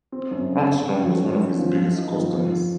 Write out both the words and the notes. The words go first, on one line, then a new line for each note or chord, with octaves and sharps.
Armstrong was one of his biggest customers.
C4
F#2
C#3
C#3
C#4
F#3
F#3
C#4
F3
F3
D#4
F3
F2
F3